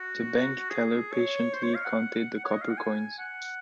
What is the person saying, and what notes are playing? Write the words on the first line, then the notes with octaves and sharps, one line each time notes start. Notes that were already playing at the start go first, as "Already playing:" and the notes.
The bank teller patiently counted the copper coins.
Already playing: F#4
G#4
C#5
C5
C#5
F5
F#5
C#5
D#5
F5
F#5
G#5
F#5